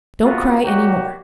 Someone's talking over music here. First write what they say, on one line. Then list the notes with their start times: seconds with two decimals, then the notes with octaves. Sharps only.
Don't cry any more.
0.22 A2 C3 B3 F4 F#4
0.62 D#3 F#3 G3 A#3 F#4 G4